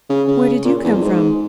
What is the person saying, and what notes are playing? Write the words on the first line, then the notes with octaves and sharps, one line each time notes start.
"Where did you come from?"
C#3
C#3
A#2
E2
F2
G#2